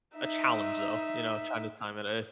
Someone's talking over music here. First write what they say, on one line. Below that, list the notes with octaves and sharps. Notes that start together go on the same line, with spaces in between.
a challenge, though, you know, trying to time it, eh.
D#4 E5